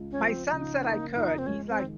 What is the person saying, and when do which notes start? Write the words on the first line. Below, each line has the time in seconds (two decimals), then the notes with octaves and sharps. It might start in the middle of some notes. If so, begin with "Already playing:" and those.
my son said I could, he's like,
Already playing: C#2
0.11 C#4
0.21 F3 C4
0.52 C#3 D#4
0.77 C#4
0.84 A#3 D#4
1.15 F2 D#4
1.38 C4
1.46 G#3 C#4
1.68 C4
1.79 D#3